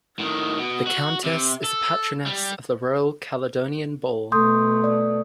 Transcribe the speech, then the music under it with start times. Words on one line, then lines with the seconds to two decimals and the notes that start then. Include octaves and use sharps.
The Countess is a Patroness of the Royal Caledonian Ball.
0.19 A2 D#3
0.58 B2
0.87 F#4
1.24 C3
1.64 A4
2.26 G3
4.32 B2 A3 C6 D#6 G6
4.84 D5 D#6